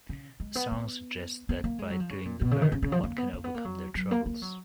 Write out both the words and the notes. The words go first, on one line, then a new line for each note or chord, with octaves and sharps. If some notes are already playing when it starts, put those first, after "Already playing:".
The song suggests that by "doing the bird", one can overcome their troubles.
C#3
G#3
B3
B3
B3
A#3
G#3
F#3
F3
C#3
A#2
B2
C#3
D#3
C#3
C#3
F3
A#3
B3
A#3
B3
A#3
F#3
F#3
A#3
A#3
F#3